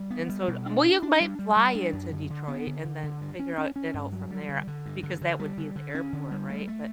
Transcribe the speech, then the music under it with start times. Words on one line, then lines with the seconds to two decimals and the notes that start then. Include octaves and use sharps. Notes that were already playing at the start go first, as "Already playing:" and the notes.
And so um, well, you've might fly into Detroit and then figure out it out from there because that would be the airport, right? But
Already playing: G3
0.10 B3
0.29 G3
0.48 B2
0.66 D4
0.84 D4
1.02 D4
1.20 G3
1.39 G3
1.56 G3
1.75 D4
1.93 F#2
2.12 D3
2.30 D3
2.48 B3
2.67 D3
2.85 D3
3.03 D3
3.21 G2
3.39 C#4
3.58 C#4
3.76 C#4
3.94 G2
4.12 F#3
4.31 G3
4.49 D3
4.67 D3
4.86 G2
5.03 D3
5.21 D3
5.40 G3
5.58 D3
5.76 D3
5.95 C#4
6.13 D3
6.31 G3
6.50 A3
6.68 A3